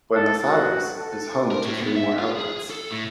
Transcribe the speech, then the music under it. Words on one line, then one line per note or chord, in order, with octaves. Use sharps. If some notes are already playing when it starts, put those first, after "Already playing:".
Buenos Aires is home to three more outlets.
A4
F#4
A4
A#4
A2
B3
E5
F4
G#4
A4
A2